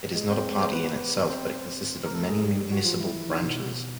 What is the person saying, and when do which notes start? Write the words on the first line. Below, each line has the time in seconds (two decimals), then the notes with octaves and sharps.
It is not a party in itself but consisted of many municipal branches.
0.15 G#3 G#4
0.30 C4 C5
0.61 C5
0.72 B3 B4
1.30 C4 C5
2.06 A#4
2.14 A3 A4
2.29 G#3 G#4
2.43 G3 G4
2.71 F#3 F#4
2.85 F3 F4
2.99 E3 E4
3.28 D#3 D#4
3.43 B2 B3